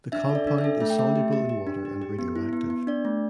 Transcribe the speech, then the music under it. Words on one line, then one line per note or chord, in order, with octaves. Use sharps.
The compound is soluble in water and radioactive.
D4 E5
A4
D5
D4
E5
A4
A3 E5
G5
A3 E5
G4
G4
G4
D4
G4
G4
B3
E4
B3
B3
D4 D5
A3